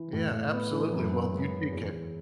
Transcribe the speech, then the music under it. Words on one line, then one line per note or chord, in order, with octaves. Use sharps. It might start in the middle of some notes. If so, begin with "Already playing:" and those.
Yeah, absolutely, well, you take care.
Already playing: E3
A2
A2
B3
E3
F#2
B3
G#3
E3
E2
E2